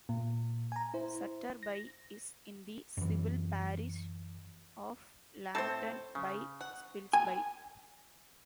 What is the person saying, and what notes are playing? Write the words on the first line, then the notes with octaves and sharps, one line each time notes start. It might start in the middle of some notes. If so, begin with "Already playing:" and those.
Sutterby is in the civil parish of Langton by Spilsby.
A#2
G#5 A#5
E4 C5
A#6
F#2 E3
A2 C4 A4 C5 A5
C#3
F#5
G#5